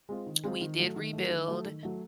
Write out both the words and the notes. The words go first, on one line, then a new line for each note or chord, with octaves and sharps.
we did rebuild
G#3 C4 F4
D#3
G#3 C4 F4
D#3
F#3 A3
D#3
F#3 A3
D#3
F#3 A3
D#3
F#3 A3